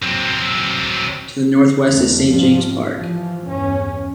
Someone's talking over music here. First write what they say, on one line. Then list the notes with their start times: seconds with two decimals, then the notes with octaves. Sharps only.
To the northwest is Saint James' Park.
0.02 F#3 C4
1.91 E2 D#3 G3 A3
2.26 G#2 F3 G3
3.00 E3 F3
3.47 E2 G2 C#4